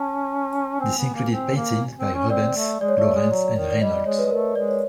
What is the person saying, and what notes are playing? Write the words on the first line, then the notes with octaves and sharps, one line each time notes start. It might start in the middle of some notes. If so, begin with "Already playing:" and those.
This included paintings by Rubens, Lawrence and Reynolds.
Already playing: C#4 A5
C4 G#5
B3
A#3
C4
A#3
C4
C#4
C4 D5
A3
G#3 D5
C#5
A3 D5
G#3
F#3
D#3
D5
G3 D#5
D5
G#3 C#5
B4
G#3
A3 A#4
G#3 D5
C#5